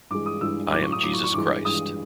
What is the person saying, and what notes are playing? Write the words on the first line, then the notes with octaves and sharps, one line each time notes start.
I am Jesus Christ.
G2 E3 G#3 D6
D#6
G2 E3 G#3 E6
A2 F#3 D6
C#6
D#6
A2 F#3 D6
C#6
C#6
G2 E3 G#3 D6
G2 E3 G#3 D#6